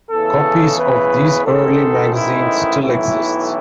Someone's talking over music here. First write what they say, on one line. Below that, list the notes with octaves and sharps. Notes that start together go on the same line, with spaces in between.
Copies of these early magazine still exists.
E2 C#3 E3 A4
B4
A1 G#2 D#3 A4
E4
B1 A2 E3 E4